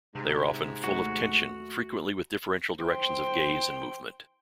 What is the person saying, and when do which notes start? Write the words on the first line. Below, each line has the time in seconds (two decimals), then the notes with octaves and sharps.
They are often full of tension, frequently with differential directions of gaze and movement.
0.15 G#2 C3
0.84 D#2 A3 F#4
2.82 C5 G5